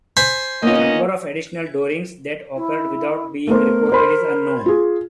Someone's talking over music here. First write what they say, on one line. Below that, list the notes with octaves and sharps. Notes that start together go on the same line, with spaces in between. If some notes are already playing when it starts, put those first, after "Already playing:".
The number of additional doorings that occurred without being reported is unknown.
C5 G#5 B5
A#3 B3 C#4 D#4 F4 D#5
E4
A3 B3 A#4 C5
C5 B5 C6
F4 G#4